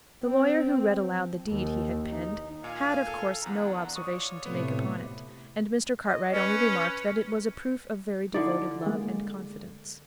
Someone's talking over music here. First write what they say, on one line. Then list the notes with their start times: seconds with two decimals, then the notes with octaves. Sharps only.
The lawyer who read aloud the deed he had penned, had of course no observation to make upon it, and Mr. Cartwright only remarked that it was a proof of very devoted love and confidence.
0.25 C4
1.05 F3
1.48 D#2
2.09 D#4
2.64 A#2 F5 G#5
3.07 A4
3.42 E2 D4 F#5 A#5
3.96 F4 C#5 D5 C#6 D#6
4.46 A2 C3 A3 B3
6.07 D#5
6.33 C#4 B4
8.34 D3 D#4 E4 D5
8.87 G#3 A#3